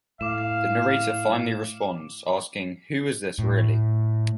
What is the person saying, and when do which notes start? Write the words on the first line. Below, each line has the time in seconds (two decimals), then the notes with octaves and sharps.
The narrator finally responds, asking who is this really?
0.21 A2 F5 D6 E7
3.39 A2